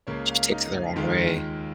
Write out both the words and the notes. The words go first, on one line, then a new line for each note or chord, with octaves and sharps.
She takes it the wrong way.
C#2 C#3 A#3 C#5
F5
D#4
D#2 D#3 G#3 F4